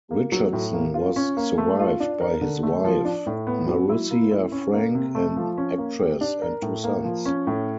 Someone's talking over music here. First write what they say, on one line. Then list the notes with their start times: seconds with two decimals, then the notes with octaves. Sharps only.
Richardson was survived by his wife, Maroussia Frank, an actress, and two sons.
0.11 A#3
0.32 F#3
0.53 A2
0.74 A#3
0.94 F4
1.16 C#4
1.37 A#3
1.58 A3
1.79 F4
2.00 D4
2.20 A#4
2.41 D3
2.63 A3
2.84 F3
3.05 D4
3.26 A2
3.47 B3
3.67 F#3
3.89 E4
4.11 A#3
4.31 E4
4.52 C#4
4.74 A#3
4.95 C3
5.15 A3
5.36 F3
5.58 C#4
5.78 A#3
6.00 G4
6.21 D4
6.42 A#4
6.62 A2
6.84 A#3
7.04 F3
7.26 C#4
7.47 A2